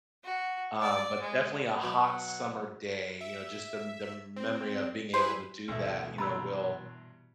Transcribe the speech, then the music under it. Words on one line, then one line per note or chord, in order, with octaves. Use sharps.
um, but definitely a hot summer day, you know, just the m the memory of being able to do that, you know, will
F#4
D5
G#3
B2 F#3 F#5
E5
C4
E4 G#4 B4 C5
D2 B2 E3 E5
G2 C3 A#5 B5 E6